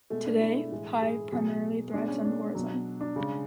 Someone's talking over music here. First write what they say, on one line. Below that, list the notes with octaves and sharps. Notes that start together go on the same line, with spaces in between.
Today, Pai primarily thrives on tourism.
B2 G#3 A3
D4
E4
A2 E3 G#3
G#4
B2 F#3 G#4
B2 G#3 D4
C#4
D4
B2 F#3
D4
C#3 G#3